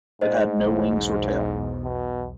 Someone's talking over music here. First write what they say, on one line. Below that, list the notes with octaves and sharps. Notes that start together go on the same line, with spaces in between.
It had no wings or tail.
G#2 C5 D#5
B1 E2
B2